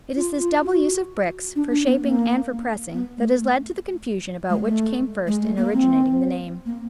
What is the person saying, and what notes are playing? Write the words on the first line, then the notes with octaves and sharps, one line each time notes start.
It is this double use of bricks, for shaping and for pressing, that has led to the confusion about which came first in originating the name.
F4
F4
F#4
D4
D4
B3
A#3
B3
A3
A3
G#3
A3
G#3
A3
A#3
C4
A#3